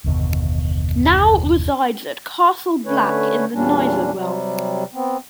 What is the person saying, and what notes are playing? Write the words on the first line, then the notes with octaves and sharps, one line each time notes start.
Now resides at Castle Black in the Neither Realm.
F#1 D#2 B2 D3
D3 A3 C#4 B4 C#5
E2 A#2 G3 C#4 D4
C3 F#3 G3
B3 C4